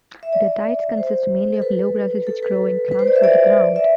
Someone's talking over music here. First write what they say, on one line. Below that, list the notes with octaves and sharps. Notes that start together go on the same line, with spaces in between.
Their diets consist mainly of low grasses which grow in clumps on the ground.
E5
D5
C5
A4
B4
A4
B4
B4
C5
D5
E5
D5
E5